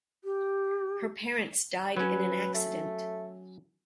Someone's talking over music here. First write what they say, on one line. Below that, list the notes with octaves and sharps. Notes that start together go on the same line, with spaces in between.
Her parents died in an accident.
G4
F#3 C#4 B4
A3